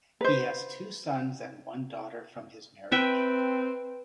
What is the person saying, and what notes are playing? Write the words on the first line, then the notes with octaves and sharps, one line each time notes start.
He has two sons and one daughter from this marriage.
B4 C5
C4 B4 E5 G5